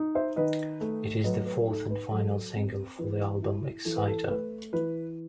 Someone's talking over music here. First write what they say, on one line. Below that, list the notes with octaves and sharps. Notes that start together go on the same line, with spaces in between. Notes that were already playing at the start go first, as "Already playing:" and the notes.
It is the fourth and final single for the album "Exciter".
Already playing: D#4
C5 E5
D#3 B4 D#5
A3
F#3 B4 D#5
B4
D#4 A4
B4
F#3 A4
C4
E3 B4
E4
E3 A4
B4
A4
A3 B4
E3 B4